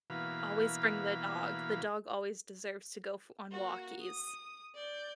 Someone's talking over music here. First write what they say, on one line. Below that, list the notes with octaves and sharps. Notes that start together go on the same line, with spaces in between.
Always bring the dog; the dog always deserves to go f on walkies.
B2 E3 A#3 F#4 F5 B5
A#3 F#4
D#6
D5 G6